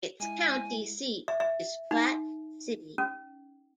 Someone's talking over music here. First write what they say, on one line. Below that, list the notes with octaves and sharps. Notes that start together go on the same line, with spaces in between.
Its county seat is Platte City.
G#3 E4 G#5
E5
E5
D#4
C#4